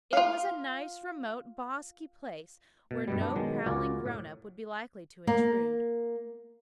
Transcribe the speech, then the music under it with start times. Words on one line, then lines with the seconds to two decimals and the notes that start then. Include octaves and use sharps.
It was a nice, remote, bosky place where no prowling grown-up would be likely to intrude.
0.13 F4 F5
2.91 B2
3.08 G2 B2 G3
3.21 B3 D4
3.36 B2 D#3 F#3 G#3
3.66 C#2 F4 F#4 A#4 D5 G#5
4.06 A2
5.27 A#3